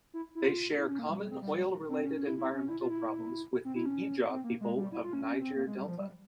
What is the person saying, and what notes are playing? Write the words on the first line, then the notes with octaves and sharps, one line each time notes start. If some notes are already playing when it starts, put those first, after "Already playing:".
They share common oil-related environmental problems with the Ijaw people of Niger Delta.
E4
E4
F4
E4
C#4
A#3
G3
G3
C4
G3
C4
C#4
C#4
E4
E4
C#4
E4
F4
E4
C4
E4
C#4
C4
A#3
G#3
G3
E4
F4
C#4
C#4
C4
A#3
G#3
G3
F3
G3